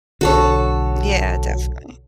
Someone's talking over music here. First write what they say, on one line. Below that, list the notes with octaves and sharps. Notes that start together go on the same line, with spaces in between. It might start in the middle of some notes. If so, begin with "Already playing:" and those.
Yeah, definitely.
B1 D3 F#4 A4 C#5